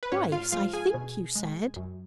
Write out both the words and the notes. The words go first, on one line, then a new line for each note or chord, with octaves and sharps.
"Twice, I think you said?"
B4
G#2 C#4 C#5
F4 F5
F3 G#3 F4 F5
G#4 G#5
B2
G#3
F#2